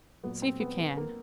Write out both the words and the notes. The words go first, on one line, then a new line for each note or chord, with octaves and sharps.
"See if you can."
A#2 F#3 B3
C4
B3
B3
A#3